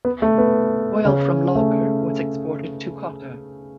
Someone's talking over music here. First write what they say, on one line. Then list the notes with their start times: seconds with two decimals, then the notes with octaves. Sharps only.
Oil from Logger was exported to Kotter.
0.05 B3
0.22 A3
0.38 B3
1.05 C#3 C#4
1.55 A3